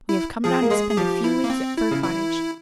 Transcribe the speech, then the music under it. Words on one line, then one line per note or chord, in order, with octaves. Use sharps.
We have come down to spend a few weeks at Fir Cottage.
E4
F3 G#4
A#3
G#3 G#4
G#4
F3 G4
E4
A#3
C4
E4
C#3
E3 E4